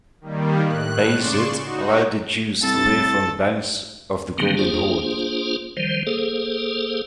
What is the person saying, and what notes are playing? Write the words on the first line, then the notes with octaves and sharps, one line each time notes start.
Bayezid allowed the Jews to live on the banks of the Golden Horn.
D#3 G3 A#3
A2 F#6
C#3 D5 C6 C#6 E7
D#4 F#4
C2 A4 A6
D3 D#3 F#3 G3 A#3 C4
A#3 D4 F4 G#4 C5
D#3 F3 G3 C5
A#3 G#4 A4 C5